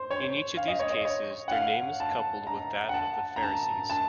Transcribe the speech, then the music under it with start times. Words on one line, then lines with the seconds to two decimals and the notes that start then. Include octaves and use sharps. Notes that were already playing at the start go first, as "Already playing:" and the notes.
In each of these cases their name is coupled with that of the Pharisees.
Already playing: C5
0.11 C#5
0.57 F5
0.68 D#5
0.80 C#5
0.90 D#5
1.05 C#5
1.48 F#5
1.52 F5
2.00 A5
2.47 A#5
2.89 F#5
2.94 A5
3.36 A#5
3.42 A5
3.90 A5